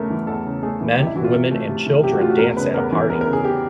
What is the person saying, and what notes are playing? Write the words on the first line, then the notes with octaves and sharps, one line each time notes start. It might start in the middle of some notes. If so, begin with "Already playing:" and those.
Men, women and children dance at a party.
Already playing: E2 C#3 A3 A#4
E3
E2 A4
C#3
A3 G#4
E3
C3 G4
E4
E3 F#4
F4
C3
A3
C3
E3
C3 G4
F#4
A3 F4
F#4
E2 A#4
C#3 B4
E2 A#4
E3
E2 A#4
A#4
C#3
G#4
G4